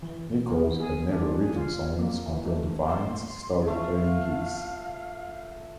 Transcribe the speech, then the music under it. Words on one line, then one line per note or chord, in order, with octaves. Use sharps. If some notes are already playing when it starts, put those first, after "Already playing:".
Nicholls had never written songs until The Vines started playing gigs.
E3
B3
G#4
D4
G#4
F4
A#3
E3
A3
C6
A3 F4 E5 F5